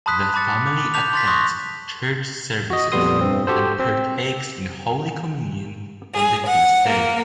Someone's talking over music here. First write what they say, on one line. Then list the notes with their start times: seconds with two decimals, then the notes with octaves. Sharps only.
The family attends church services and partakes in Holy Communion on the feast day.
0.06 A5 B5 C6 D#6 F#6 B6
0.34 A5 B5 D6 A6 C#7
0.67 D6
0.94 A5 D6 G6 B6 F7
1.14 C6 A6 B6
1.27 C6 C#6 D#6 F#6 A#6
2.70 F#4 D#5
2.92 F2 A#2 G3 B3 C6 D#6
3.21 G2 C4
3.47 F#4 G4 A4 C5
3.79 C4
6.14 G#4
6.47 F#5
6.88 A#3